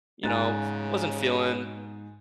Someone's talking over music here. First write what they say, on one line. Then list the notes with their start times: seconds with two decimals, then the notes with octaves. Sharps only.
you know, wasn't feeling
0.23 G#2 C#3 G#5 F#6 A6